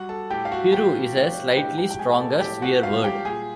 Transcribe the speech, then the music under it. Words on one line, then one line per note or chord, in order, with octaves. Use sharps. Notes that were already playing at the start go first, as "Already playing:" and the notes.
"Piru" is a slightly stronger swear word.
Already playing: G3 F#4 F#5
A4 A5
A2 G4 G5
F5
F#4 F#5
E3 G4 G5
A2
A2 G4 G5
G4 G5
G5
A2 G#4 G#5
A4 A5
A2 G4 G5
F#4 F#5
G3 F4 F5
G4 G5
A#2 G#4 G#5